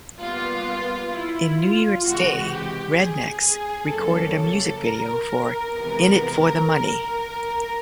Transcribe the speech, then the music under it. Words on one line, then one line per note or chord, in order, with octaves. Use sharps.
In New Year's Day, Rednex recorded a music video for "Innit for the Money".
A#2 G3 B3 F4
E4
F4
C#2 C3 E3 G#3 F#4
G4
G#4
G#4
F2 C#3 F#3 A#3 A4
A4
A#4
F2 C3 E3 G#3 B3